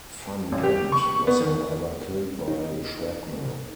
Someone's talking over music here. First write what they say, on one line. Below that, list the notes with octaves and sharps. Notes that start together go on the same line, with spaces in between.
Van Ghent was however killed by shrapnel.
A1
G4
C#6
B3
D#3
D#4